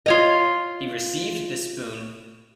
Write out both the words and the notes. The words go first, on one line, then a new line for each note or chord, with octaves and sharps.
He received this boon.
F4 C#5 D#5